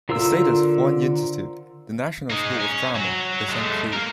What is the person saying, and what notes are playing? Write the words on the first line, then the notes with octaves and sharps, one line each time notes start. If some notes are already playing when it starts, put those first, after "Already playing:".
The status of one institute, the National School of Drama, is unclear.
D3 F4 A#4 C5 E6
G#3 D#4
C#4
F#3
G#3 A3
A#3 A#4